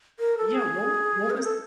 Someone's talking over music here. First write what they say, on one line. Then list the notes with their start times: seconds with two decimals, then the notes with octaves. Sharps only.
Yeah. What what was
0.19 A#4
0.38 A4
0.54 G#4
1.30 B4
1.37 A#4
1.44 A4